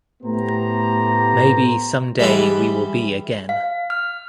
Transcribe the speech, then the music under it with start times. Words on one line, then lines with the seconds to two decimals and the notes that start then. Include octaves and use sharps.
Maybe someday we will be again.
0.23 A2 A3 B3 G4 C5 A#5
2.19 E3 G3 G#3 E4 F#5
3.49 F5
3.90 F6